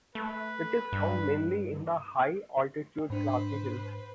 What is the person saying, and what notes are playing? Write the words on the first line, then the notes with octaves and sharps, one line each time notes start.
It is found mainly in the high altitude grassy hills.
A3 B4
G2
G#2 D4 B4 C5